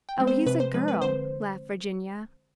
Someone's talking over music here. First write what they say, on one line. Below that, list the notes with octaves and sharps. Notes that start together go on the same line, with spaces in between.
"Oh, he's a girl!" laughed Virginia.
G5
F3 G#3 C4
C5
C3 B4
C5
F3 G#3 C4 B4
B4
D3 C5